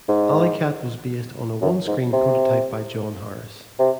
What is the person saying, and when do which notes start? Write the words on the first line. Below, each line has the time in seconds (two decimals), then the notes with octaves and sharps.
"Alley Cat" was based on a one-screen prototype by John Harris.
0.09 G#2
1.62 F#2
1.87 G#2
2.13 C3
3.79 C3